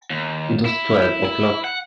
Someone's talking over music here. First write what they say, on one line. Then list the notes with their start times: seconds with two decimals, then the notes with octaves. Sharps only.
It was twelve o'clock.
0.10 D#2
0.65 E4
1.25 E4
1.64 F#5